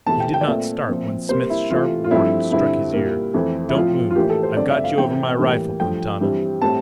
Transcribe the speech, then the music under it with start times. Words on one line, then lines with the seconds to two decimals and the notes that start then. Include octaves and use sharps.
He did not start when Smith's sharp warning struck his ear: "Don't move! I've got you over my rifle, Quintana!"
0.06 E2 C3 E3 A3 C4 A5
0.20 G5
0.34 G5
0.41 D5
0.47 A#2 A3 C4 E5
0.89 A#2 F3 C4
1.29 C3 G3 A#3 C5
1.50 E4
1.70 C3 E3 A3 F4
2.04 F4
2.11 G2 F3 A3 C4 E4
2.52 G2 D3 G3 C4 E4
2.93 A#2 G3 A#3
3.34 F2 E3 A3 C4
3.69 E4
3.75 A2 F3 C4 F4
4.10 F4
4.15 A2 E3 A#3 G4
4.30 A4
4.43 C5
4.57 G2 D3 A3 C4 D5
4.70 E5
4.84 F5
4.98 A2 E3 A3 C4 G5
5.39 A2 E3 G3 A#3
5.80 G2 F3 A3 G5
6.21 G2 E3 G3 C4
6.62 A2 G3 C4 A5